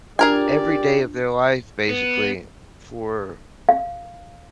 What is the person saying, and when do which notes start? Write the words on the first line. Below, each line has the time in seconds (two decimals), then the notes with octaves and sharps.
every day of their life, basically, for
0.19 D4 F4 G4 G#4 A#4 D5 G#5
1.89 B3
3.69 F5